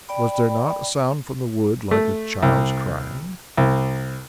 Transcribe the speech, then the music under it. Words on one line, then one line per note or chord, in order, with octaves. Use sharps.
Was there not a sound from the wood like a child's crying?
D5 G5 B5
A3
C2
C2